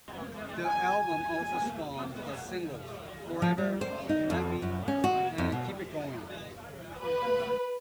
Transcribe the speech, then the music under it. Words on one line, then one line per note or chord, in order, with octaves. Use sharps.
The album also spawned the singles "Forever", "Let Me", and "Keep It Going".
G#5
F3
G3
C5
D#4
F2
F#2
C#4
F#4
F2
B2
B4